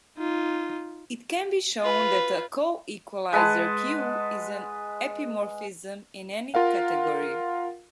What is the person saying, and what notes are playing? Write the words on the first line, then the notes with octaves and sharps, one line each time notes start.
It can be shown that a coequalizer "q" is an epimorphism in any category.
D#4 F4
F4 B4
G#3 B4 F#5 A5
F4 A#4 F5 F#5